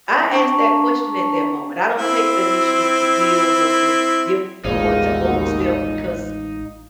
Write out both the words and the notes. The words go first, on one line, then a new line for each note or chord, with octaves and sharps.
I asked that question at that moment. I don't take the initiative to give or to give o or to overstep because
D4 A5 A#5 C#6
C4 E4
A1 D#2 B2 G#3 D#4 F4 G#4 F5